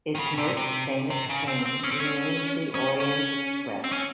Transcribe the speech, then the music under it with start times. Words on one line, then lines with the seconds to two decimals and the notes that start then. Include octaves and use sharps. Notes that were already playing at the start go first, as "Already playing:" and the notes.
Its most famous train remains the Orient-Express.
0.15 D#3
0.19 C#3
0.37 C3
0.57 C3
1.10 C3
1.29 C#3
1.48 C4
1.66 C4
1.84 C#4
1.92 C4
2.00 C#4
2.75 C#4
3.00 C#4
3.84 C4
3.92 C#4